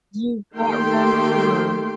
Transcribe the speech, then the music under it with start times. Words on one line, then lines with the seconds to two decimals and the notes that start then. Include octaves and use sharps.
You got run over.
0.57 D#3 A3 A#3 G4 G5 C6